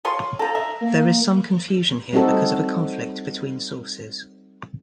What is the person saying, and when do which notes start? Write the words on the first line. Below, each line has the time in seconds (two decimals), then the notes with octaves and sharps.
There is some confusion here because of a conflict between sources.
0.05 F4 C#5 C6
0.39 F3 A4 A#5
0.55 E5
0.81 A#3
2.13 G3 C4 D#4 F#4 A4